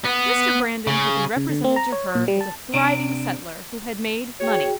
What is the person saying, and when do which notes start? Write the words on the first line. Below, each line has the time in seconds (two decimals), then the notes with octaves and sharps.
Mr. Brandon had been represented to her as a thriving settler who had made money.
0.05 B3
0.87 C#3
1.36 C#3
1.49 D3
1.64 C4
1.76 A#5
1.92 C#5
2.15 A#2
2.28 G3
2.41 A5
2.74 C3 D4
4.40 F#4 G#4 C#5 G5